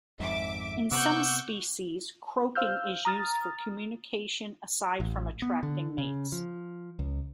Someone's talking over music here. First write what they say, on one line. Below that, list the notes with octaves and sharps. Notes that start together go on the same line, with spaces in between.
In some species, croaking is used for communication aside from attracting mates.
G#1 F2 G#2 E5 D6
C3 B3 F#5 C#6 D6 E6 F#6 G6
C5 F5 E6 F6 G6
A#5 D#6 F6 A6
A1
B3
D3
C#3
F3
C#2